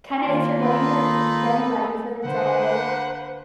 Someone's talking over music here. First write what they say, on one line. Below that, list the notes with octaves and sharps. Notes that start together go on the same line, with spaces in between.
kinda if you're getting your you're getting ready for the day,
D#3 A#3 F4
D#4 A4 B4
D3 A#3 D4 B4 C5 F#5